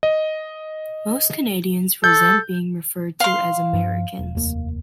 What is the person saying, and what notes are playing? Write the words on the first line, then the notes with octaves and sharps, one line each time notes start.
Most Canadians resent being referred to as "Americans".
D#5
A4 G6
F5 C6
G2 F3
E1
F1 D#2 A#3